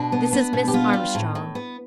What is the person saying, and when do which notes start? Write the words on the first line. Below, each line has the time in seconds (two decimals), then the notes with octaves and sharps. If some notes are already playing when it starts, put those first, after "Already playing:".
This is Miss Armstrong.
Already playing: B2 D4
0.12 B3
0.33 B3
0.53 B2
0.68 G4
0.74 B3 F4
0.93 G3
1.15 A2
1.35 A2
1.55 B3